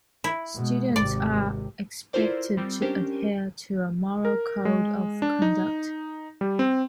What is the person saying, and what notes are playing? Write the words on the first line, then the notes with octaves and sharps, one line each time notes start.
Students are expected to adhere to a Moral Code of Conduct.
E4
B2 G#3
G#1 C3 D5
E4 F4 A4 A#4 C5 D5
G3 C4
C#4 D4 G4 A#4 C5
A#4
G#3
D4
D#4
G3
C4